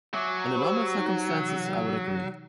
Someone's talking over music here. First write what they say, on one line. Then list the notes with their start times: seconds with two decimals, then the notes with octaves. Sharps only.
Under normal circumstances, I would agree.
0.14 F#3 E5 G#5 D6
0.55 G4 C5 B5
0.95 D#4
1.29 C3 E3